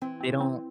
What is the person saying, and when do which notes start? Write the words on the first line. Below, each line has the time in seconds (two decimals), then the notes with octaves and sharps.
they don't,
0.02 E3 C4
0.21 C4
0.41 C4